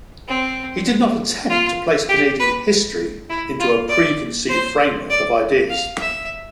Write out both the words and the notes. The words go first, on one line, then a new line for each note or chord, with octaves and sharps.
He did not attempt to place Canadian history into a preconceived framework of ideas.
C4
F4
G4
B4
E4
F4
D5
C5
D5
F5
E5